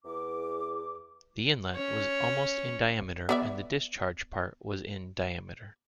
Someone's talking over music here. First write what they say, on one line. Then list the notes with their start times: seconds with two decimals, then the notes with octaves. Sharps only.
The inlet was almost in diameter and the discharge part was in diameter.
0.05 E2 D6
1.76 C#4 C#5
3.29 B3 D5 E5